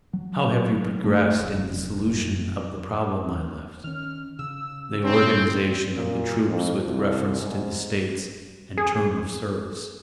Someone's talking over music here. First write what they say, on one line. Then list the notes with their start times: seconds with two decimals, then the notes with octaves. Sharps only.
How have you progressed in the solution of the problem I left--the organization of the troops with reference to the States, and term of service?
0.13 F#3
1.04 A3
1.38 F1
2.15 F#2
3.84 D#3 C#4 F6
4.39 C#3 E6
5.04 C4 C#4
5.94 A#2
6.49 F2
6.87 C2
7.42 G#2
8.77 G#4